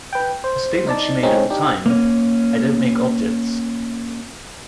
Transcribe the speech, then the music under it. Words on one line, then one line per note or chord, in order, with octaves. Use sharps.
A statement she made at the time - I don't make objects.
B4 G5
C5
D#4 D5 A5
G#3 C4 C#4 D#4
D4 D#4 G4
A#3 C#4